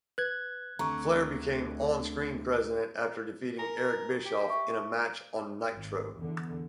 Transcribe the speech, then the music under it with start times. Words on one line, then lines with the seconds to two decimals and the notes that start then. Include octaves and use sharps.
Flair became on-screen president after defeating Eric Bischoff in a match on "Nitro".
0.18 B4 F#6 G#6
0.79 D2 D3 A3 C4 A#5 C#6
2.95 C5
3.59 A#4 G#5
4.25 G4
4.48 E5 C#6
5.72 G#1
6.17 E2 D3